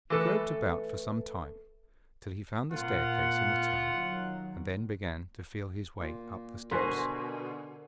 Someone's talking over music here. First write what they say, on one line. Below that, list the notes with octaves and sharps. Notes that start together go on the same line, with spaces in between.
He groped about for some time, till he found the staircase in the tower, and then began to feel his way up the steps.
E3 A3 A4 B4
A#2 A#3 C4 F4 F#5
D#3 F#3
A#2
B2 D3 A#4 C5 G#5 C6